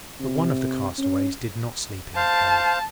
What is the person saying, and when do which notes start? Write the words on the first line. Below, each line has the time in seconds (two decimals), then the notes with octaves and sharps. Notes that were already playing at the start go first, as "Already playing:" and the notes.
But one of the castaways did not sleep in the cave.
0.20 C3
0.98 C#4
2.16 C5 F5 A5